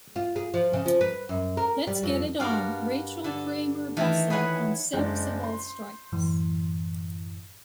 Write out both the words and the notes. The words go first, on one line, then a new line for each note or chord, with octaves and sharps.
Let's Get It On: Rachel Kramer Bussel on sex of all stripes.
F4
G#4
F3
C#3
F3
B4
F#2
A#4
G3
F2
G2 F#4 A#4 D5 F5 G5
D3 A5
D#3 E3 A3
G#4 B4 C#5 F#5 G#5
F#1 G#3 D4 G6
C6
F#2 A2 E3